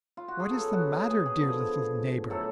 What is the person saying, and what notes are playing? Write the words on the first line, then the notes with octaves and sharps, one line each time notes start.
"What is the matter, dear little neighbor?"
F4
F#4
G#4
F#2 C#3 F#3 B3 A4
F#4
G#4
G#4
G#4
D3 F3 B3
A2 F#3 A3 A4